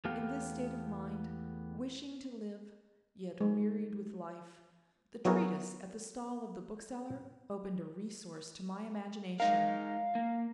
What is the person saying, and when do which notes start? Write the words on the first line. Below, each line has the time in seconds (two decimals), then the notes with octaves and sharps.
In this state of mind, wishing to live, yet wearied with life, the treatise at the stall of the bookseller opened a resource to my imagination.
0.05 E2 A3 B3 G4 F5
3.40 G#3
5.25 F#3 B3 E4 F#4 G#4 A#4
9.40 G#3 D#4 A#4 F5
10.15 A#3